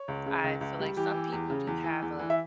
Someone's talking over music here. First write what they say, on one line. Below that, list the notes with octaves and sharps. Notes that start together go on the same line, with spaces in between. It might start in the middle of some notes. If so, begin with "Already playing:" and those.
I feel like some people do have a
Already playing: C#5
C#2
C#3
C#2
C#2
G3
E3 G4
E3
E2
C#3
E2
E3
E2
E3
E5